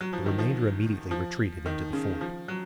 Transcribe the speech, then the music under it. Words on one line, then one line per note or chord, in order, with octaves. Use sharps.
The remainder immediately retreated into the fort.
F#3
F3
D#3
F3
F3
D#3
C#3
F3
F#3